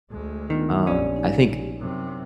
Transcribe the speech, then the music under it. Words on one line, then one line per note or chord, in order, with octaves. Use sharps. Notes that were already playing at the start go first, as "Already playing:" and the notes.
Um, I think
D2 G#3
D#3 B3 D4 F4
A#1 C#4 G4 D5
D#4 D5 G#5
F#2 C3